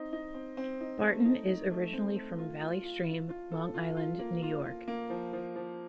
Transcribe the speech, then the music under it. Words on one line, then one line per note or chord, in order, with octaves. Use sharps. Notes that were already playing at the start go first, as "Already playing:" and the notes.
Barton is originally from Valley Stream, Long Island, New York.
Already playing: C4 D#4
D#4
C4
C4
D#4
A3
D#4
D#4
A3
C4
A3
F4
F4
F4
F4
F4
A4
F4
F4
A#3
F4
F4
A#3
F3
F3
F3